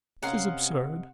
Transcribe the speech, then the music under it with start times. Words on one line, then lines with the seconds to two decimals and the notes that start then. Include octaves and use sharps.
'Tis absurd!
0.22 C3 C#4 A#4 D#5 F5 F#5 C6